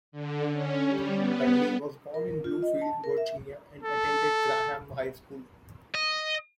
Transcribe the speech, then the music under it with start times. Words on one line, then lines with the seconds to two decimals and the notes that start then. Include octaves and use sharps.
Dudley was born in Bluefield, Virginia and attended Graham High School.
0.12 D3
0.51 C#4
0.86 G3
1.15 B3
2.14 A#4
2.44 F4
2.63 D#5
2.82 A5
3.04 A#4
3.18 E5
3.83 A4
5.95 D#5